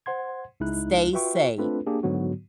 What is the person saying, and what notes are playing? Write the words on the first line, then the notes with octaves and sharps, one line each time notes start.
stay safe.
C5 F#5 C6 G#6
C#2 G#3 D#4 E4 F#6
F4 F#4 B4 E5 G5 C#6
A3 C4 D4 F4 A4 B4
A#3 D4 G4 G#4
G#2 D3 F#3 B3 F#4